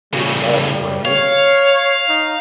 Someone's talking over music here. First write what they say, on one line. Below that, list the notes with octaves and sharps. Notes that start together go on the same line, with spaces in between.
it was all gray,
A2 C#3 G3
C#5 F5
D#4